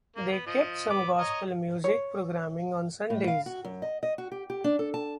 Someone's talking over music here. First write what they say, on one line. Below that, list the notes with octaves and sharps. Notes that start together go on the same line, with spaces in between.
They kept some Gospel music programming on Sundays.
A#3
B3
F3 D#5
B3 D6
C#5 D#5 A#5
C#5
A2
F5
F#4
F#2
D#5
D#5
F#4
G4
G4
D4
A4
A5